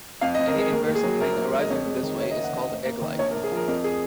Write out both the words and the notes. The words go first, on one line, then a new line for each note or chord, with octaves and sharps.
Any inversive plane arising this way is called "egglike".
F2 F5
D#5
F2
A#4
G#3 G#4
D#2 A#4
D#2
G#4
F#3
A#1 A#4
A#1
G#3
D#5
F2 C#5
G#3
D#3
F#1 C#5
D#5
F#1
F#5
D#3 D#5
F1
A#3
D#3
A#1 C#5
A#4
A#1
G#4
F3 A#4
F2 A#4
G#4